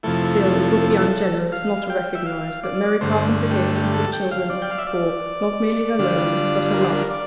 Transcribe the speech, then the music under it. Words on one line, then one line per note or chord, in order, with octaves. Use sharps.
Still, it would be ungenerous not to recognise that Mary Carpenter gave to the children of the poor not merely her learning, but her love.
F2 C3 F3 A3 E4 A4
F5
G5
E5
F5
D5
G2 D3 A3 C5
G4
G4
A4
G5
F5
D5
G5
F5
E5
D5
D3 G3 D4 F4
A#4
C5
A#4
D5